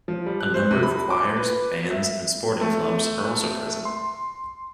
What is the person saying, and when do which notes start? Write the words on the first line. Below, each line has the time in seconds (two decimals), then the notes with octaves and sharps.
A number of choirs, bands and sporting clubs are also present.
0.08 F3
0.26 G3
0.41 F#6
0.54 C5
0.71 C3
0.83 B5
1.10 D6
1.36 B4
1.91 E5
2.61 A3
3.85 C6